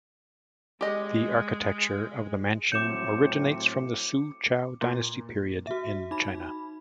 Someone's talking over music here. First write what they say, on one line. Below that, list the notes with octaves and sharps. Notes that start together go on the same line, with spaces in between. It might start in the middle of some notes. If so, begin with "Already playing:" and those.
The architecture of the mansion originates from the Su Chow Dynasty Period in China.
G#3 G4 D#5
A2 F#3 C4 D6 G6 C#7 E7
A#2
F#4 E5
D#4 B5